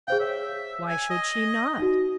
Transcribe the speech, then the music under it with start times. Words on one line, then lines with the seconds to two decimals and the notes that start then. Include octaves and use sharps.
Why should she not?
0.08 G#4 C5 F5 G5
0.20 C#5 E5
0.88 G#5
1.10 D#5
1.78 D#4 F#4